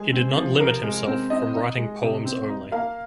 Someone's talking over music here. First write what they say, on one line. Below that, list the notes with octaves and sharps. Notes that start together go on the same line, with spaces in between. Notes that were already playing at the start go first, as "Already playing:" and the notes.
He did not limit himself from writing poems only.
Already playing: G#3 G#4
C4
F3
C3 A#4
G#3
C4
C4 D#5
D#4
G#3
C3
C4
D#4
A#3 F5